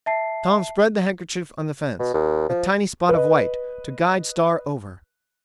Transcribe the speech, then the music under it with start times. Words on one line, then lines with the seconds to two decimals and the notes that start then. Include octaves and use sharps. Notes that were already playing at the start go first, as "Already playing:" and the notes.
Tom spread the handkerchief on the fence--a tiny spot of white to guide Star over.
0.06 E5 A5 C7
1.99 B2
2.13 D#2
2.49 F3
3.09 B4 D#5